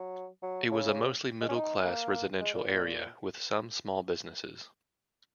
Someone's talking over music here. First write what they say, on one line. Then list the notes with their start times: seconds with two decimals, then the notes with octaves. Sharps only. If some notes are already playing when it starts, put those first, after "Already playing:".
It was a mostly middle-class residential area, with some small businesses.
Already playing: F#3
0.42 F#3
0.71 C#3
1.41 G#3
1.49 C#4
1.55 D#4
1.84 A#3
2.40 G#3
2.54 A#2
2.68 A#2